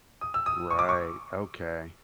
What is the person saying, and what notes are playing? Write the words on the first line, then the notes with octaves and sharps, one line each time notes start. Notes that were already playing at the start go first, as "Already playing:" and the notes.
Right, okay.
D#6
E6
D#6
C#6
D6
C#6